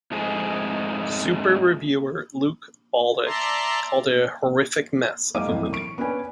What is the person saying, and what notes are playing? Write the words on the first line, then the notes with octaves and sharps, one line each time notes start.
Super Reviewer Luke Baldock called it a horrific mess of a movie.
F2 G#2 G#3 A3 G#4
D5 E5 A5 A#5 C6
F#2 G#3 D#4 F5 D6 D#7
E1 A#1 F#2 A2 E3 C4
C#6 D7
B3 C#4 D4 B4 G#5